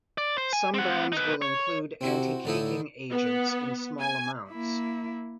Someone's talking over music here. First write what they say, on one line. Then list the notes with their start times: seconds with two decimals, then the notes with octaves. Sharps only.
Some brands will include anticaking agents in small amounts.
0.18 D5
0.38 C5
0.53 G#5
0.74 C4 F#5
1.12 D#4 B4
1.42 C#5
2.01 C3 C4 E4 F#4
2.45 A2 D3 D#4 E4
3.11 B3
4.01 G#5
4.50 A#3 E4